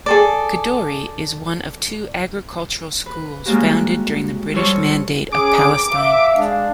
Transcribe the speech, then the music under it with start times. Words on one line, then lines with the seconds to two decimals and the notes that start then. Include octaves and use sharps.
Kadoorie is one of two agricultural schools founded during the British Mandate of Palestine.
0.06 G#4 A4 D5
3.06 B4
3.45 G3 G#3 A#3 C#4 F#4 G4
4.54 F2 G3 C#5 C#6
5.32 C#4 G#4 D6
5.93 E5 F5
6.36 G#3 D4